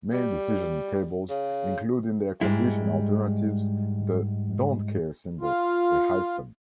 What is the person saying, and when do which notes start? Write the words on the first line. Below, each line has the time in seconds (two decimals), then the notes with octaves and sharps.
Many decision tables include in their condition alternatives the don't care symbol, a hyphen.
0.13 G3
1.29 C#3
2.41 G#2 G3 G#3 E4
5.41 F4